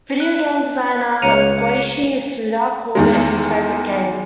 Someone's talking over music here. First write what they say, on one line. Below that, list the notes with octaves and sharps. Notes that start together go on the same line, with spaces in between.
Video game designer Goichi Suda called it his favourite game.
F#6
C#2 C#5 C#7 D#7 F7
E2 D#3 G#3